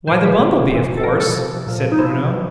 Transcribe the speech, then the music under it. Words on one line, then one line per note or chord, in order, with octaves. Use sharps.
"Why the bumble-bee, of course!" said Bruno.
A#2 F3 C5
B4
B2
C3 E3
A4
A#2 F3 A#4
A4
C3 F3
A#2 F3
D#4
C3 F3 E4
B2